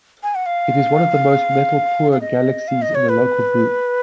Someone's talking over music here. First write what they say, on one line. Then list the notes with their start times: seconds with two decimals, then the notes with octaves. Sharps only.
It is one of the most metal-poor galaxies in the Local group.
0.23 G#5
0.35 F#5
0.46 F5
2.12 F5
2.21 D#5
2.68 F5
2.82 D#5
2.95 C#5
3.09 B4